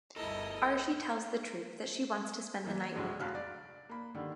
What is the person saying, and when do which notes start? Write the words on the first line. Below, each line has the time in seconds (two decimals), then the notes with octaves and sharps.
Arshi tells the troupe that she wants to spend the night with them.
0.16 G1 D2 E4 A4 A#4 D#5
2.64 E3 G3 A#3
2.95 D2 A2 F#3 G#3 D4
3.19 F1 F#3 F5 F6 F#6
3.35 D5
3.89 A#3 B5
4.15 D3 D#3 G3